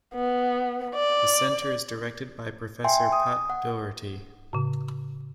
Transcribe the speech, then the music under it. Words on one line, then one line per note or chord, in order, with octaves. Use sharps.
The centre is directed by Professor Pat Doherty.
B3
D5
E5 G5 G#5 C6
D#6
F#5
A2 C#3